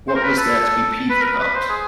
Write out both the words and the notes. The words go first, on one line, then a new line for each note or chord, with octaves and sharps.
What was there to be peeved about?
C5
A#4
B4
A4
B4
A#4
B4
B4
C5
G#4